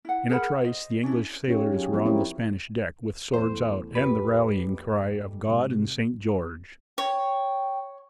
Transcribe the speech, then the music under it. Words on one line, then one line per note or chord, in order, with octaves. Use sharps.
In a trice the English sailors were on the Spanish deck with swords out and the rallying-cry of 'God and St George!
E4 F#5
G#4 A#4 F#5 B5
C5 D#5
C#4 D4 E4
C#4 D#4 F4 G4 C#5
F#3 F4 G4 G#4
F3 B3 C#4 E4 F4
C4 C#4 E4 G4 A#4 C#5
E2 A3 C5
A#1 F2 G4 B4
G#2 C3
C#5 G5